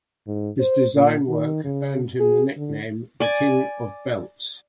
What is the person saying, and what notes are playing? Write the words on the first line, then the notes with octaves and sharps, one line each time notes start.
His design work earned him the nickname "the King of Belts".
G#2
C5
A#2
D#3
C#3
G#4
D3
D5 G#5